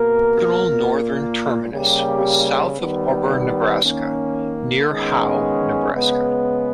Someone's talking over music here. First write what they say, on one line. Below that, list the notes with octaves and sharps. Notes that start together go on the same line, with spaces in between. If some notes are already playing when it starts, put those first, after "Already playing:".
The original northern terminus was south of Auburn, Nebraska, near Howe, Nebraska.
Already playing: B2 A#3 A#4
A#2 A#3
C#3 G3 A#3 G4
D#3 G3 B3
D#3 A#3 C#4
D#3 G#3 B3 C#4
C#3 G#3 B3